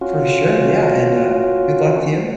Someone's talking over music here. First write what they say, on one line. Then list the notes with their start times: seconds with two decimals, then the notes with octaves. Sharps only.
For sure, yeah and, uh, good luck to you.
0.01 C#4 F4 F#4